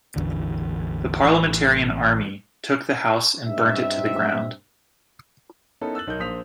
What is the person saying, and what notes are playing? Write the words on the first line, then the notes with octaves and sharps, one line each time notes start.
The Parliamentarian army took the house and burnt it to the ground.
A1 E2 D3
A1 E3
G2 C4 D#4 E5
B3 C#4 D#4 E4 A4 A#4
E6 F#6 A6 F#7
B1 D#4 A#4 G6
A#1 A#3 C5 D#6 B6 F7